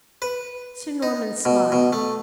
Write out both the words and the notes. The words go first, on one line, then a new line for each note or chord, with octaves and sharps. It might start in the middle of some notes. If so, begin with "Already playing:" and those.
Sir Norman smiled.
B4
D#4
B2
B2
A3